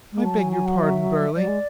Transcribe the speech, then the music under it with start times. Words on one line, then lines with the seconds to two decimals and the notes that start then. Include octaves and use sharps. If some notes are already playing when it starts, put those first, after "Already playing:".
"I beg your pardon, Burly!"
0.13 G#3
0.24 F#3 A5
0.38 G#5
0.52 G#5
0.66 F#5
0.80 E5
1.36 F#3 D5
1.48 G#3